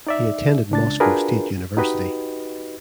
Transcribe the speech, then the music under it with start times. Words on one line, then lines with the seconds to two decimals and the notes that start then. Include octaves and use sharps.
He attended Moscow State University.
0.07 D#4 D5 E5
0.71 C#2 D4 A6
1.00 D4 F4 F#4 G#4 A#4 B4
1.77 D#4 F#4 G4 B4 D#5